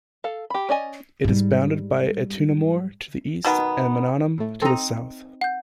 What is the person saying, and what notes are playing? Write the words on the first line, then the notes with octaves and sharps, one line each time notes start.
It is bounded by Ettumanoor to the east and Mannanam to the south.
A4 F5
G4 B5
C#4 D5 D#5 G#5
G#2 G3
B2 D#3 B3
A2 A3
C4 D#4 A4 A#5
F#5 G6